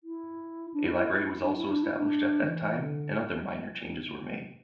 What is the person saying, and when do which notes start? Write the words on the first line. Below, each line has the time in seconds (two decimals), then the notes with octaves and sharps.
A library was also established at that time and other minor changes were made.
0.04 E4
0.74 D4
0.85 E4
0.97 E4
1.43 D4
1.56 E4
1.70 D4
1.83 E4
1.97 D4
2.43 D3
2.48 E3
2.82 D3